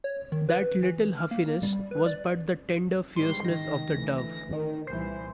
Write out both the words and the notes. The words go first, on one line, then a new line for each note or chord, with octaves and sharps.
That little huffiness was but the tender fierceness of the dove.
C#5
D#3
B4
E3
F6
A#3
G3
B4
D5
G#2 G3 C6
D#3 A#6
D2 E3
A#6
D#3
C2 A#2 E3 C5